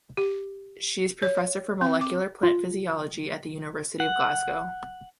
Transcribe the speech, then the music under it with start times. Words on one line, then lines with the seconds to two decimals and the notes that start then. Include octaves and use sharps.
She is professor for Molecular Plant Physiology at the University of Glasgow.
0.17 G4
1.22 C#5
1.81 C4
2.01 D6
2.43 F4
4.00 F#5